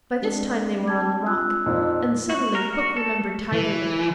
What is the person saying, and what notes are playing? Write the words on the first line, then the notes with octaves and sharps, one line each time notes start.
By this time they were on the rock, and suddenly Hook remembered Tiger Lily.
G#3 C4 D4
A5 G#6
F4 E6 F#6
F2 A#2 D#4
F#4
A#4
F#4
A4
E3